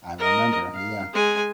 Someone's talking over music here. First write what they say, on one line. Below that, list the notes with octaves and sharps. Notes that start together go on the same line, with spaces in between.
I remember, yeah.
A#4 D#5
F5
G#3 G#5